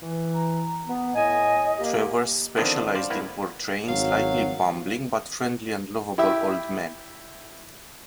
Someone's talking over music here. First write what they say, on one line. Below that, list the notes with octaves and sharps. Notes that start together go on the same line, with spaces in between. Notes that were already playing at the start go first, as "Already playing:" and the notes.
Travers specialized in portraying slightly bumbling but friendly and lovable old men.
E3
A#5
B3
A2 D#5 G#5
A#3 G4
D3 D#3 F3 B3 C4 D4
G2 C5 D5 F5
A#3 B3 E4 B4
G#1 F#3 F5
E4 G4 E5